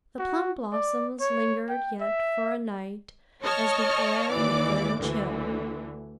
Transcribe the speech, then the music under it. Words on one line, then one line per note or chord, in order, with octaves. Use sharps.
The plum-blossoms lingered yet for a night as the air had grown chill.
F#4
D5
C#5
G5
E5
C#5 D#5 A5 C#6 F6
D#2 E3 D5 D6
D2 D3 E3